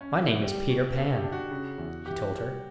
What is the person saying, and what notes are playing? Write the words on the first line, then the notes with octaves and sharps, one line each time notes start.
"My name is Peter Pan," he told her.
C#4
D4
E4
F#4
G3 G4
B2
B3 A4
G4
D4
F#4
C#3
E2
E3 G4
G3